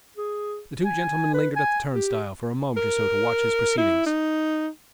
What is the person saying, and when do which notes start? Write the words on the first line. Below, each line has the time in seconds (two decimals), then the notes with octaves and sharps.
The two gentlemen lingered at the turnstile for a moment or so to watch his proceedings.
0.17 G#4
0.85 G#5
1.34 B4
1.56 G#5
1.94 G4
2.77 A#4
3.78 E4
4.06 D#4